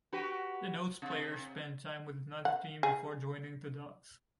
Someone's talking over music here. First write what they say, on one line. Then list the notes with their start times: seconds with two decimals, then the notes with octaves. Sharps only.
Denotes player spent time with another team before joining the Ducks.
0.13 F#4 G4 B4
1.02 C3
2.45 F#5
2.83 G#4